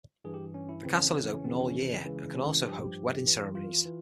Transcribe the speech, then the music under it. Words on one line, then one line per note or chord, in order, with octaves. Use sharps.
The castle is open all year, and can also host wedding ceremonies.
G2 E3 G#4
G4
C#4
E4
F2 C#3 E3 C4
C#4
C4
C#4
E4
C#4
F2 C#3 E3 C4
C#4
C#2 C#3 E3
C#4
E4
G2 F3 G4
F2 E3
F4
E3